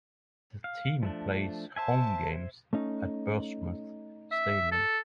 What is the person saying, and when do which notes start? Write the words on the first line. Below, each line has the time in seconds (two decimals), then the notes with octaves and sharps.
The team plays home games at Birchmount Stadium.
0.64 F5
1.03 F3 A3 D4
1.76 C5 E5 G#5 A5
2.73 A3 C#4 D#4
4.31 E5
4.72 A4